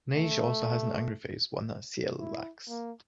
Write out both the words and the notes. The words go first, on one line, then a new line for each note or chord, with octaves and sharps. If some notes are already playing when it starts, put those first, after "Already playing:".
Neige also has an angry face, one that Ciel lacks.
A3
E4
A#3